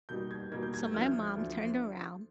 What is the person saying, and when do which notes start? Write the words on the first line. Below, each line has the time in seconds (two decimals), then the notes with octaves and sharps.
So my mom turned around
0.09 B2 G3 A#3 D#4 G6
0.31 G#6
0.52 B2 G3 A#3 D#4 G#6
0.63 G6
0.74 G#6
0.84 G6
0.94 D2 D3 F3 F6
1.36 D2 D3 F3